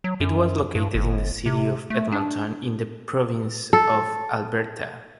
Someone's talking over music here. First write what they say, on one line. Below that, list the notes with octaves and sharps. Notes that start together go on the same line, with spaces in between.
It was located in the city of Edmonton in the province of Alberta.
F#3
F#2
G2
G1
C3
A3
D4
A4